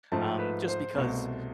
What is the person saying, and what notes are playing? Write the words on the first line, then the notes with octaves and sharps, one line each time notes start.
um, just because
G#2 F3 A3 A5
B4
C5
C2 B2 A3